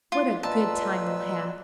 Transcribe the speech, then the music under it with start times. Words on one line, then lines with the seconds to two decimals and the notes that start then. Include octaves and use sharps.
What a good time we'll have!
0.12 E4 F4
0.43 A#2 B4 D#5 A5 E6